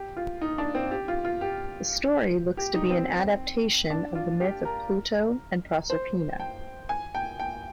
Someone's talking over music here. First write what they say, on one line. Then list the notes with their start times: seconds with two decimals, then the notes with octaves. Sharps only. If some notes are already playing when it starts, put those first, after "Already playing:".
The story looks to be an adaptation of the myth of Pluto and Proserpina.
Already playing: G4
0.17 F4
0.41 D#4
0.58 D4
0.75 C4
0.91 G4
1.08 F4
1.25 F4
1.41 G4
2.57 G4
2.74 D#4
2.90 C4
3.90 D4
4.15 F4
4.40 G4
4.65 A#4
5.90 C5
6.40 G5
6.89 G#5
7.15 G5
7.40 G5